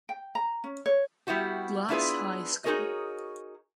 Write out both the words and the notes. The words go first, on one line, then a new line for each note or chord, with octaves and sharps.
Glass High School.
G5
A#5
C#4
C#5
G3 B3 E4 F#4 G4
B3 D4 E4 F4 G#4 B4
D#4 F#4 G#4 A#4 C#5 D#5